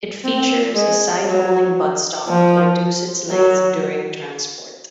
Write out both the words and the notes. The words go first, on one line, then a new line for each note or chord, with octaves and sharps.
It features a side-folding buttstock to reduce its length during transport.
C4
G#3
F#3
F3
F#3